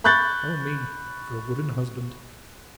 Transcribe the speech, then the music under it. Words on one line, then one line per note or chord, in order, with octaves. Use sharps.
"O me, for a wooden husband!"
B5 C#6 F#6 G6 A6